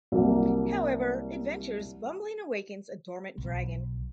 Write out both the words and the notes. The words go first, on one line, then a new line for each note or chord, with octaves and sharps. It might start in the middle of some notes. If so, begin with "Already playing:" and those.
However, Adventure's bumbling awakens a dormant dragon.
C2 F#3 A#3
B1